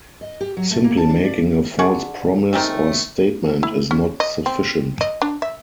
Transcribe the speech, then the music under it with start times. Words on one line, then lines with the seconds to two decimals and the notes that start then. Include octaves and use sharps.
Simply making a false promise or statement is not sufficient.
0.21 D#5
0.41 G4
0.57 F#3
0.71 A3
0.84 A#3
0.97 A5
1.09 D4
1.24 D5
1.79 D3 G#4 C#6
2.53 D#3 G#3 A3 C4
3.63 E4
3.91 C#4
4.20 D#5
4.46 C4
5.01 D#5
5.22 D4
5.42 E5